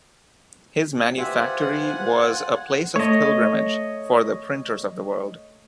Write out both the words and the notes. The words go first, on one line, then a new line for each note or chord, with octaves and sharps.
His manufactory was a place of pilgrimage for the printers of the world.
F4 G4 B4 C5 E5 F#5 G#5
A3 C#5 D#5